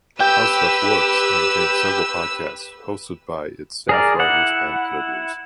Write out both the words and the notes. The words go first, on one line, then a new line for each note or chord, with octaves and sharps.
HowStuffWorks maintains several podcasts, hosted by its staff writers and editors.
G4 B4 G5 E6
G#4 A#4 D5
E4 F#5